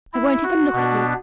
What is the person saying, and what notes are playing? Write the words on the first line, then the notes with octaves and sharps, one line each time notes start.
I won't even look at you.
E4
F#4
B2 B3 D4